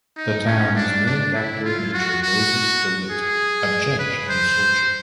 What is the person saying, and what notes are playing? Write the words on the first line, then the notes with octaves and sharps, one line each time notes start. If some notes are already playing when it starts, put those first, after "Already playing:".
The town is named after Major Moses DeWitt, a judge and soldier.
D#4
C#4
D4
D4
E4
F4
F#4
F#4
G#4
B4
C5